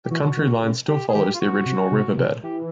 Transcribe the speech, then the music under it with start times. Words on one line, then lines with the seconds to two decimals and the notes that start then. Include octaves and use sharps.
The county line still follows the original riverbed.
0.05 G4
0.11 E3 F#4
0.37 D#3
0.63 C#3
0.88 D3 G4
1.08 G#4
1.14 D#3 G4
1.35 F4
1.41 F#4
1.66 C3
1.92 C3
2.18 C3
2.43 E3 G4